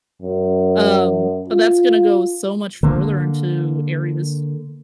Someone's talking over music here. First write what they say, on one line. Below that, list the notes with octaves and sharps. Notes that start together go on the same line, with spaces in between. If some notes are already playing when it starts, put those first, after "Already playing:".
um, but that's gonna go so much further into areas
F#2
F4
D3 A#3